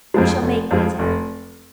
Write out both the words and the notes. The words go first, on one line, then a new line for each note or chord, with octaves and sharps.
We shall make the attempt.
F2 F3 G#3
F1
F2 F3 G#3
F1